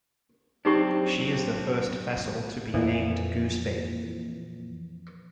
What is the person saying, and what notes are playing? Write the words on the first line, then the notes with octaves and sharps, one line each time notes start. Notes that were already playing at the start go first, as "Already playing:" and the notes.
She is the first vessel to be named "Goose Bay".
F#3 C4 D4 D#4 G4 C#6
F2 A#2 E3